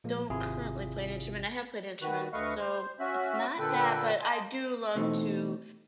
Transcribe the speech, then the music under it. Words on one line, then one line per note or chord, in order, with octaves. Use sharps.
don't currently play an instrument, I have played instruments, so it's not that, but I do love to,
A#2 F3 G#3 A#3
G#1 C3 E4 F4 G#4
D#3 F#4 B4
D2 A3 B4 D#5 F5 C#6
C5
C#4 F#4 E5 F#6
A#2 D3 A4 B4 G5 F#6
D#5 G#5 A5 C6
B2 E3 A3 C4 D#4